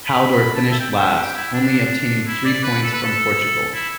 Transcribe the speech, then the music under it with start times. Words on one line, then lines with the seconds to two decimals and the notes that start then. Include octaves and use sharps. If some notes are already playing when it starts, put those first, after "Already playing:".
Haldor finished last, only obtaining three points from Portugal.
0.06 B5
0.31 B5
0.55 A5
0.71 E5
0.80 G5
0.92 G5
0.98 E5
1.17 G4
1.35 E4
1.54 D4
2.27 E4
2.45 D5
2.63 B4
2.83 A4
2.93 B4
3.04 A4
3.74 E4